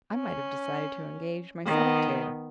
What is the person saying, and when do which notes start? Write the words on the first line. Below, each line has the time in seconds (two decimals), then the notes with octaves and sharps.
I might have decided to engage myself to her.
0.14 C#4
1.65 D#3 B3